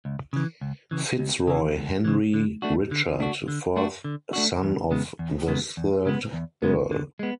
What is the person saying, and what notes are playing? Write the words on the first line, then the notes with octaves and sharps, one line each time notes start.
FitzRoy Henry Richard, fourth son of the third Earl.
C#2
C#3 E3
C#2
C#3 E3
C#2
C#3 E3
C#2
C#3 E3
D3
A3 D4 F#4
D3
A3 D4 F#4
D3
A3 D4 F#4
D3
A3 D4 F#4
E2
C#3 G#3 B3
E2
C#3 G#3 B3
E2
C#3 G#3 B3
E2
C#3 G#3 B3
D3
G#3 B3